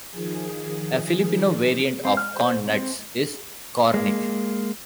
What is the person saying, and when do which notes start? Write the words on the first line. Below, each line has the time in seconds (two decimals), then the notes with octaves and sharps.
A Filipino variant of corn nuts is "cornick".
0.11 D#3 F3 G#4
2.05 C4
2.17 F6
2.34 C5
2.66 C4
3.94 G#3 A#3